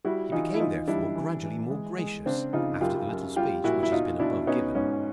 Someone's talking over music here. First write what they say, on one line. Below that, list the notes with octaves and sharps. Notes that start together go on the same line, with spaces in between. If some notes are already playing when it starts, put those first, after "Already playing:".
He became therefore gradually more gracious after the little speech which has been above given.
G3 E4 F#4
E3 D#4 F4
E4
E3 D#4 F4
G3 D4 E4
E3
E3
G#3
G#3
C#3 C4 D4
C#3 D#4 F4
F#2 F4 G4
F#2
G3 F4 G4
A#2 E4 F#4
E4
B2 D#4 F4
B2 D4 E4
B3 C#4 D#4
G#2 C#4